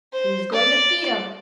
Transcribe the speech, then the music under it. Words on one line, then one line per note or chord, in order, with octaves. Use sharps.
Who's going to feed 'em?
C5
D5